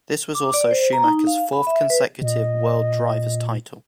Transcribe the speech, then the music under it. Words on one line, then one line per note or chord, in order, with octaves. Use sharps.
This was also Schumacher's fourth consecutive World Driver's title.
D6
D5
C5
A#5
D#4
F5
B5
E5
B4
A#2 D#5